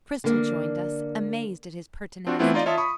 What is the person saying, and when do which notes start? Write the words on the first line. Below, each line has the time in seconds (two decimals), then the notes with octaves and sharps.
Cristel joined us, amazed at his pertinacity.
0.24 D3 A#3
2.27 C4 D4 F4 F#4
2.39 E3 A3 B3 C4 E4 F4
2.54 D#4 F4 D5 D#5 F5
2.66 F4 C#5 E5 A5 D#6
2.78 B5 C#6 D#6